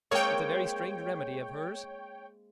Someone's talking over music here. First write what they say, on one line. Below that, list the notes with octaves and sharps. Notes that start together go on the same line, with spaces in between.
It's a very strange remedy of hers.
G#3 A#3 C4 C#5 G5